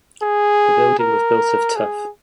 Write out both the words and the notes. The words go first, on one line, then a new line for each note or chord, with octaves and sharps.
The building was built of tuff.
G#4
A#4
G#4